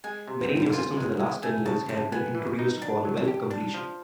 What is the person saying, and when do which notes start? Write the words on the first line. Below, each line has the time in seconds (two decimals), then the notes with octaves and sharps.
Many new systems in the last ten years have been introduced for well completion.
0.04 G#3 G#5
0.28 C3
0.50 C4
0.73 F4 G#5
0.97 G#3
1.19 G#3
1.43 A3 G#5
1.66 C#3 A5
1.89 C4 A5
2.12 B3 G#5
2.35 E3
2.59 D#4
2.82 D4 A5
3.05 F#3
3.28 G4
3.51 D4 A5
3.74 F3